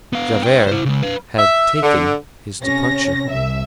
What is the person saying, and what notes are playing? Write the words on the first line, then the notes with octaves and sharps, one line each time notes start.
Javert had taken his departure.
B3 F5
B4 G5
E4 C5
C#3 G#3
B4 F5
E5
D3
C3 C#4 A#6
C2 E5